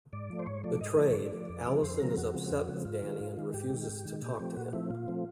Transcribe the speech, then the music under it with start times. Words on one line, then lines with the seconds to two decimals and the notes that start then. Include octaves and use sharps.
Betrayed, Allyson is upset with Danny and refuses to talk to him.
0.13 G#2 D5
0.30 F3 A3
0.39 C5
0.46 G#2 C#5
0.64 F3 A3 D5
0.81 G#2 D#5
0.97 F3 A3
1.10 C#5
1.15 G#2 D5
1.32 F3 A3
1.49 F2
1.66 C#3 F3 G#3 C4
1.83 F2 C5
2.00 C#3 F3 G#3 C4 A#4
2.17 F2 F#4
2.34 C#3 F3 G#3 C4
2.51 F2
2.68 C#3 F3 G#3 C4
2.85 G#2 F4
3.03 D#3 G#3
3.20 G#2
3.37 D#3 G#3
3.54 G#2 G4
3.70 D#3 G#3
3.89 G#2
4.05 D#3 G#3
4.22 A#2 G4
4.39 F3 A3 C4 G4
4.57 A#2 F#4
4.73 F3 A3 C4 E4
4.90 A#2 F4
5.08 F3 A3 C4